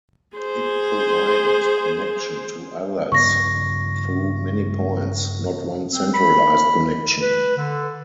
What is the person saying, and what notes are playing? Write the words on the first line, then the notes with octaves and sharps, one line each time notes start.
It provided connection to others through many points, not one centralized connection.
G#4 C5
G2 C#3 B3 C#6 A#6
C4
B5
B4
D3